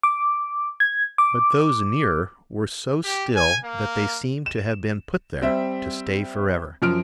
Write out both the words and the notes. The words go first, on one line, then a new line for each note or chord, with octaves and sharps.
But those nearer were so still that they seemed to have been put there to stay forever.
D6
G#6
D6
G4
G#5
A#3
E7
G3 C4 E5
F#2 F3 F6 D7